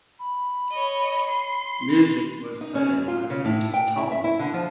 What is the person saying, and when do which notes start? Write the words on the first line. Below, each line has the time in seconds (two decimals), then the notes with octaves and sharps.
Music was by Pete Tong.
0.19 B5
0.71 C#5 D#5
1.26 C6
2.61 D#4
2.75 C#4
2.89 F#2
3.08 F4
3.30 C#3
3.45 A2
3.74 G5
3.97 E4
4.11 E5
4.24 E4
4.39 D3
4.54 F3